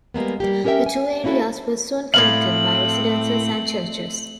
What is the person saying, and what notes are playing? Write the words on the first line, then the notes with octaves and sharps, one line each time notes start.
The two areas were soon connected by residences and churches.
G3 G#3 A#3 B3
G3 A#3 G4
C#4 G4 A#4 C5 E5 G5
G#5
A#3 C#4 E4 F#4 A4
A2 A3 B3 C4 F5 F#7